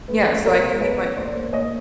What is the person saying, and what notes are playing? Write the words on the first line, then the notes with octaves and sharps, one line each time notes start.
Yeah, so I can make my
A#3 B4
C#4
B2 A#4 C5
B2
B2 B4 C#5
C#4
A#3 C5 D5
A#3
A#2 C#5 D#5